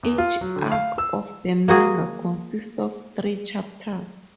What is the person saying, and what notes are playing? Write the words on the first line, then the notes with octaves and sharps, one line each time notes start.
Each arc of the manga consists of three chapters.
E2
F4
F#3
D3
F5
E6
A#3 F#4 G#4